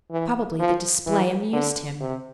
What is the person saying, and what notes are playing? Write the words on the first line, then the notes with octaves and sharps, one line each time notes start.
Probably the display amused him.
E3
F3
E3
D3
C3